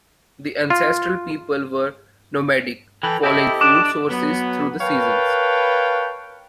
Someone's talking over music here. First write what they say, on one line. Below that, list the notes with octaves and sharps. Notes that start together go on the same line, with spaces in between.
The ancestral people were nomadic, following food sources through the seasons.
F4
E3 A4 G5 B5
C4 E4 G4 A4 D#5
D4 D6 D7 E7
F#3 B3
A#4 B4 C#5 F5 G5 A5